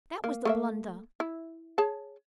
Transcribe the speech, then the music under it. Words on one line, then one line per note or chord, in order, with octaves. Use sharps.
That was the blunder.'
A#3
A3 A#3 E5
E4
G#4 C#5 A5